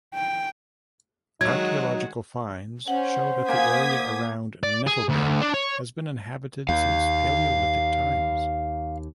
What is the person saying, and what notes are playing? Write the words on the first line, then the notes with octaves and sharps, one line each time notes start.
Archaeological finds show that the area around Nettlebed has been inhabited since Palaeolithic times.
G5
D#3 F#3 G#3 D#4 F#4 G#6
C#4 C5 F#5
A#3 G#5 D#6 G#6 B6
D5
G#4
D2
D4
C#5
D#2 F5